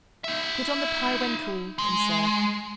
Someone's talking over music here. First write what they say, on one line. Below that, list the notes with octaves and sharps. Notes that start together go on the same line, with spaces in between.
Put on the pie when cool and serve.
D#4 E5
G#3